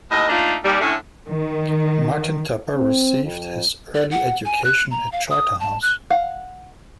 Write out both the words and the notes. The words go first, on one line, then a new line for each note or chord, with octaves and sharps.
Martin Tupper received his early education at Charterhouse.
D#2 A2 D#5
A3 A#3 D4 D#4 F4
D#2 G3
A2 D3 A3 C#4 E4
D#3
C4
F2
D5
F#5
G#5
F#6
A#5
F5
D#6
A5
F#6
F5 F#5